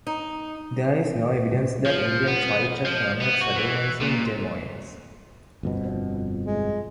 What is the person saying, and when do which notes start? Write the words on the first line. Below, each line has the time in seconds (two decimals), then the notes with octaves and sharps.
There is no evidence that Indian tribes had permanent settlements in Des Moines.
0.07 D#4
1.86 F3
2.27 B3
2.86 F3
3.22 B3
3.41 F#4
3.56 E3
4.02 A#2
5.63 G1 F2 B2
6.46 G#3